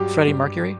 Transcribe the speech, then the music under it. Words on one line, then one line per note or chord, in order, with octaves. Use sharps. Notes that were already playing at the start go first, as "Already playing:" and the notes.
Freddie Mercury?
Already playing: G2 F#3 G4
G2